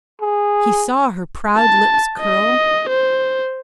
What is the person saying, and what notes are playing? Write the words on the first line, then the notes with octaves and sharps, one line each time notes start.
He saw her proud lips curl.
G#4
A5
D#5
C5